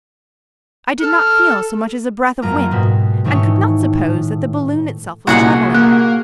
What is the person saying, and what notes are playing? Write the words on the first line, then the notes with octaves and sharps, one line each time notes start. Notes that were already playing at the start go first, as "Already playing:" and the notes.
I did not feel so much as a breath of wind, and could not suppose that the balloon itself was travelling.
A4 F6
F#1 F#2 A#3 F4 A#5 F6
G#2 B2 F#4 G4
G#2 D#3 E3 A3 D#4 C#5
A2
C2 A#2 F#4 G#4 F#5
A#3 F#6